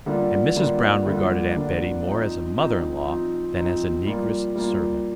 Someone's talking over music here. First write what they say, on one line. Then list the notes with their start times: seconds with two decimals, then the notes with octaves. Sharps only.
And Mrs. Brown regarded Aunt Betty more as a mother-in-law than as a negress servant.
0.06 D3 G3 A#3 D4 F4
0.56 D3 G3 A#3 D4 F4
1.06 D3 G3 A#3 D4 F4
1.56 D3 G3 A#3 D4 F4
2.06 F3 C4 D#4
2.56 F3 C4 D#4
3.06 F3 C4 D#4
3.56 F3 C4 D#4
4.06 G3 A#3 F4
4.55 G3 A#3 F4